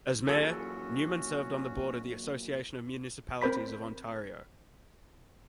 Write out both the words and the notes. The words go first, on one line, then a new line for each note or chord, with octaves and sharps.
As mayor, Neumann served on the board of the Association of Municipalities of Ontario.
A#2 E3 F#3 C#4 F#4 G#4 A4
C4 A#4 C5 B5 B6